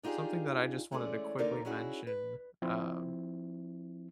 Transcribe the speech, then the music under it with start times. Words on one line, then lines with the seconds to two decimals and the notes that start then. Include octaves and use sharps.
something that I just wanted to quickly mention, uh,
0.03 D4 D#4 F4 G4 G#4
0.91 E3 G#3 A3 C#4 G#4 D5
1.38 D#2 D3 A#3 D#4 A#4 D5
1.65 C#4 D#4 E4 F#4 G#4
2.07 B4
2.62 F3 C4 E4